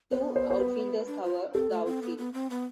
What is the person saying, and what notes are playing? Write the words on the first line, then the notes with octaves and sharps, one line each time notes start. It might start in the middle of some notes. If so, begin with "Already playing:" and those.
Two "outfielders" cover the outfield.
B3 C5
C5
D5
C5
B4
D4
F4
C4 A4
A3
C4
B3
B3
C4
B3